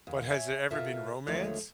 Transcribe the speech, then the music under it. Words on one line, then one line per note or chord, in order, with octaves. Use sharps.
but has there ever been romance?
D#2
C#5 E5 G#5
B2 F4 A4 A#4 E5
D#2 D3 F3 G#3 A3 C#5